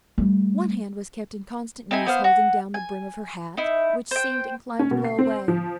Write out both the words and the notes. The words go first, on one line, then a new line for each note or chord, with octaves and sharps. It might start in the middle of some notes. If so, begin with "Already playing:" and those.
One hand was kept in constant use holding down the brim of her hat which seemed inclined to blow away.
G3 A3
C4 D#4 E4 G#5
B3 C5 F5
F#4
G#5
D#4 E4
C5 G5
C#4
B2
C7
C4
F3